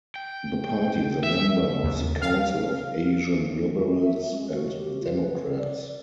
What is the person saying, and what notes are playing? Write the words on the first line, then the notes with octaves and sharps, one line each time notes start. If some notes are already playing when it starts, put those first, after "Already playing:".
The party is a member of the Council of Asian Liberals and Democrats.
G5
E5
D#2
F5
F4
E5
G#3
F#4
G4
F4
B4
A4
D5
D5